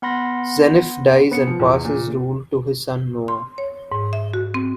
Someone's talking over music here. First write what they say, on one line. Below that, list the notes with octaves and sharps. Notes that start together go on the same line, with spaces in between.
Zeniff dies and passes rule to his son Noah.
B3 F#5 B5 C6 A#6
B3 C#7
F3
E2
A#2
C6
C#5
G#2
E5
F#4
C4